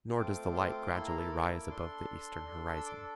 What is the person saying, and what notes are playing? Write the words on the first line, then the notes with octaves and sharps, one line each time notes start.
Nor does the light gradually rise above the eastern horizon.
A3 C4 F4 D6
C6
D6
D6
A#3 E4 A4 C6
A#5
A5
D6
D4 A4 C6
D4 A4
E6
D6